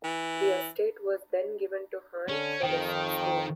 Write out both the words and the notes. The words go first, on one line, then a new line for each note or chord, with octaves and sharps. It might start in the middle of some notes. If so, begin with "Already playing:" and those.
The estate was then given to Hahn for his school.
E3
D3 C#4
F2 D#3 G5